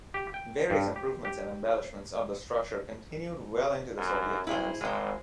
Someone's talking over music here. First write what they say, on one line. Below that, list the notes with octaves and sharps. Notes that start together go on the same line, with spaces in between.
Various improvements and embellishments of the structure continued well into the Soviet times.
G4
G5
G2
G4
G4
F#2
B1 E4 G#4 C5
G#1 G#3 C5